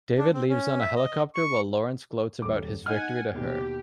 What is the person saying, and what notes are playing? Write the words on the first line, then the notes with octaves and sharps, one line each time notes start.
David leaves on a helicopter while Lawrence gloats about his victory to her.
D4
C4
C#4
E5
D#5
C#6
D#1 D6
D#4 F#5 G#5 F6
D#2 B2 G4